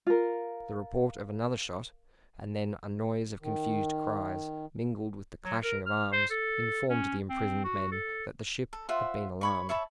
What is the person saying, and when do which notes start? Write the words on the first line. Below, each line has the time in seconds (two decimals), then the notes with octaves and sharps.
The report of another shot, and then a noise of confused cries, mingled with the clashing of arms, informed the imprisoned men that the ship had been alarmed.
0.06 F4 A#4
3.42 D#3
5.45 F#3
5.64 A#4
5.86 F6
6.12 C5
6.31 A4
6.90 C#4
7.29 C4
7.64 F#4
7.92 A4
8.73 A4
8.89 F4 C5 E5 F#5
9.41 C#5 B5 C#6
9.69 C#5 E5 A5 B5